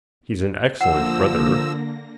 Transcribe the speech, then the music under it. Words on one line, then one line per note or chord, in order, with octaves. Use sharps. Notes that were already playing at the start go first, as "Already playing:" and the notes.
He's an excellent brother.
D3 F3 A#3 F#5 E6 A#6